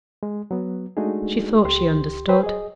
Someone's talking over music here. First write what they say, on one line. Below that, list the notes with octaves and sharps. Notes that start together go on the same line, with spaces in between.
She thought she understood.
G#3
F#3 B3
G#3 A3 D4 D#4 F#4 G#4
C#2 G4 C6
B4 C5 G5 B5
G#4 D#5